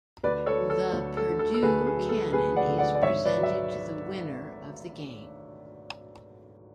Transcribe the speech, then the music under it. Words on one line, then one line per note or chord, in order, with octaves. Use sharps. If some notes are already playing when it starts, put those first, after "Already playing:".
The Purdue Cannon is presented to the winner of the game.
D2 B4 D5
A4 C#5
F#3
A4
D2
A4
D3
A4
A4
D2 G#4 B4
G#4
F#3
A4
D2 G#4 B4
D5 F#5
D3
D5 F#5
D5
G#1 C#5 E5
B4 D5
F#3
E5